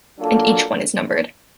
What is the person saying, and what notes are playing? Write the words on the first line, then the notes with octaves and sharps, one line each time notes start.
And each one is numbered.
F#3 A#3 D4 F4 A4